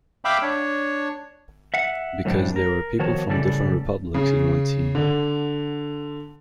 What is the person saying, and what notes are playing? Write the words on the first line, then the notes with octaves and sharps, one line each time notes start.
Because there were people from different republics in one team.
E5 F5 G5 B5 D6
D4 C#5
E5 F#5
F#2 A2 F3 G3 D4
A#4
D#3 F3 B3 F#4 C#5 A5
A2 C#3 E3 G3 A4 D5
C#3
D3